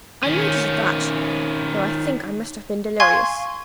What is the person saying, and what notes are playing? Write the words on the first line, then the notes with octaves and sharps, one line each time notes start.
I noticed that, though I think I must have been delirious.
D#3 C#4
F5 G#5 C6 C#6 G#6